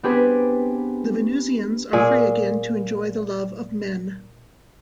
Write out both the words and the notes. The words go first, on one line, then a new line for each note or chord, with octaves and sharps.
The Venusians are free again to enjoy the love of men.
B3 C4 D4 G4 G#4 B4
A#2 G#4